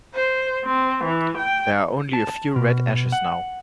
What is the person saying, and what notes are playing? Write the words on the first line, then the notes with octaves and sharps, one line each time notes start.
There are only a few red ashes now.
C5
C4
E3
G5
A5
B2
F#5